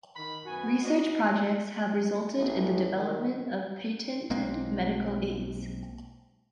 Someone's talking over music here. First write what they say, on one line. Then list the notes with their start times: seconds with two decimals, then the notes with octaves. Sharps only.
Research projects have resulted in the development of patented medical aids.
0.16 D#3 B5
0.46 F#2 B3 F#4 G#5
0.83 C4 D4 F#4 D#5
2.36 A1
2.95 D#3
4.30 B1 G#3 A#3 C4